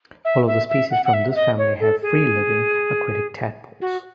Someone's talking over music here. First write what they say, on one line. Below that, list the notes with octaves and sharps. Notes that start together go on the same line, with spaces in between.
All of the species from this family have free-living, aquatic tadpoles.
E5
E5
E5
F#5
F#5
E5
E5
D#5
C#5
A4
G#4
F#4